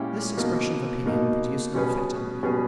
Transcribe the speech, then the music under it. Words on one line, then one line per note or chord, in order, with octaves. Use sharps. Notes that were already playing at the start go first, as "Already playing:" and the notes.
This expression of opinion produced no effect on him.
Already playing: A#2 G#3 C#4 E4 G4
B2 A#3 D#4
B2 A#3 D#4
B2 G3 C#4 G#4 B4
B2 G3 C#4 G#4 B4